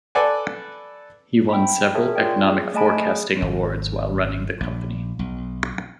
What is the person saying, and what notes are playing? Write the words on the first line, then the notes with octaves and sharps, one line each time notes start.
He won several economic forecasting awards while running the company.
A4 B4 D5 F#5 G#5
G5 B5
G#4 A#4 C#5 E5 A5
F4 C#5 D5 G5
G#4
A3 D#5 G#5 A5 B5 D7
G#4
G#1
A#1
B1